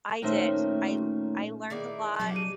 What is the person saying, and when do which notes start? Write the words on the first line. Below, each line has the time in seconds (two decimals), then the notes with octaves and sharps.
I did, I l I learned a lot,
0.22 A#2 D#3 A3 C#4 C5 E5
1.70 D#3 E3 G#4 D5
2.20 C#3 F#3 D4 D#4
2.36 G4 D#7